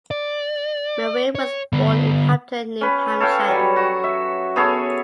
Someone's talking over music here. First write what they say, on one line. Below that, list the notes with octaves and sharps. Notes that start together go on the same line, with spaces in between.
Merrill was born in Hampton, New Hampshire.
D5
C#5
D3 B3
C#4 B4
A4 C#5 F5 G5
F#3 G3
F#4
E5
B3 G#4 A4 C#5